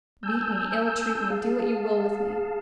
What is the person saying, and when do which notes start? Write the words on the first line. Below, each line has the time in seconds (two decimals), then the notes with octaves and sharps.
Beat me, ill-treat me, do what you will with me....
0.23 G#5 A5 E6 G6
1.30 G#4 F5 A5